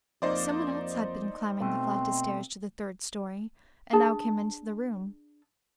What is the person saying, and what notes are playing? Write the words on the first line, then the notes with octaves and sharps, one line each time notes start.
Some one else had been climbing the flight of stairs to the third story, and now came into the room.
F2 A#3 D#4 C5 D5
B2 A3 C4
D4 G#4 A5